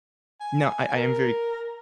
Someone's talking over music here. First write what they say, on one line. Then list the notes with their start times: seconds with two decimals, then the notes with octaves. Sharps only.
No, I I am very
0.41 G#5
0.95 A#4